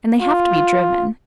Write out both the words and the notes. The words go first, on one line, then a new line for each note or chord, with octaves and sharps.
And they have to be driven.
F4